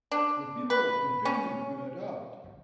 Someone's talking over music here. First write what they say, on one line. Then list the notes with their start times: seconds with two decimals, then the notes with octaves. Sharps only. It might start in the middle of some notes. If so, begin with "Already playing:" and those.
The people continued to adapt.
0.12 D4
0.70 B4
1.25 C#4